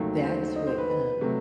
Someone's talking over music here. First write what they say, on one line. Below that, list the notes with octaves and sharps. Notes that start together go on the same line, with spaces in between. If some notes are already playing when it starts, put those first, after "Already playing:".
that's what, um
Already playing: D#2 D#3 F#3 A3
C5
D#5
C5
B4
B4
C3 F#3 A3